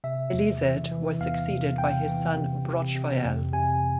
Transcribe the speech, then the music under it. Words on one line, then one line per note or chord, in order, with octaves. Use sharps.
Elisedd was succeeded by his son Brochfael.
C3 E5
E2
E3
E3
E2 F5
C3
E2 G5
E3
C3
C3
C3
F2
C3 G#5